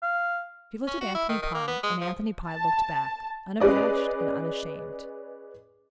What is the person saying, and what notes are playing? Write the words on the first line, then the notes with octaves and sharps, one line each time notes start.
She looked at Anthony Pye, and Anthony Pye looked back unabashed and unashamed.
F5
C#4
F#4
E4
D#3
D#3
A#3
B3
G#3
F3
A5
C#4 G#4 B4 D5 D#5